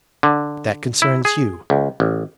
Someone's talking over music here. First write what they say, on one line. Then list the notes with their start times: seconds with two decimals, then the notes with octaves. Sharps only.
That concerns you.
0.23 D3
1.02 E4
1.25 G#4
1.70 C#2
2.00 A1